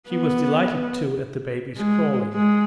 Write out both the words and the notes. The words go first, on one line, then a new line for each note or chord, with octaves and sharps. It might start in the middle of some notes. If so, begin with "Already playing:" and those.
She was delighted, too, at the baby's crawling.
B3
G#3
G#3